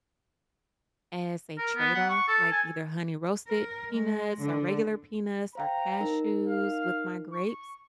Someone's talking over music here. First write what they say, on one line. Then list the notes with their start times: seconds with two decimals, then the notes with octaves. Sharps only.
as a trade off like either honey roasted peanuts or regular peanuts or cashews with my grapes
1.58 A#4
1.76 B3
1.95 F#5
2.09 C#6
2.28 A4
2.51 G#5
3.47 A#4
3.91 G#3
4.42 D3
5.55 C5 F5 G5 A#5
6.00 D#4 A#4
6.47 F5
7.32 C#6